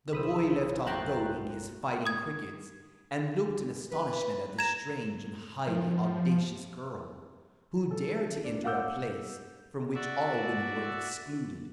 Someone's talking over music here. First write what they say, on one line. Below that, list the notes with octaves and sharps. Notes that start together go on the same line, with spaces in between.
The boy left off goading his fighting crickets, and looked in astonishment at this strange and highly audacious girl, who dared to enter a place from which all women were excluded.
B1 E3 E4 G#4 C5 B5 D#6 E6
F#2 A3 C4 F4 G5 A#5 F#6
D#6 G#6
B4
A#5 G#6 E7
F3
A4
D4
F5 F#5 D6 E6 G6
F#4 D5 E5